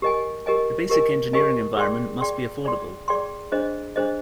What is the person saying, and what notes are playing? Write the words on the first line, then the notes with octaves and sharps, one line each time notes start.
The basic engineering environment must be affordable.
G4 A#4 D#5 G#5
G4 A#4 D#5 G#5
G4 A#4 D#5 G#5
G4 A#4 D#5 G#5
G#4 D5 G5 C6
G#4 D5 G5 C6
G#4 D5 G5 C6
G#4 D5 G5 C6
D4 G#4 C5 D#5
D4 G#4 C5 D#5